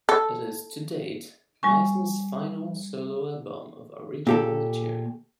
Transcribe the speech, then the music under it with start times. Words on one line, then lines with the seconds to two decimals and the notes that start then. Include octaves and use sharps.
It is to-date Meisner's final solo album of original material.
0.09 A4
1.63 G3 G#5 C#6
4.27 A#2 G4 A4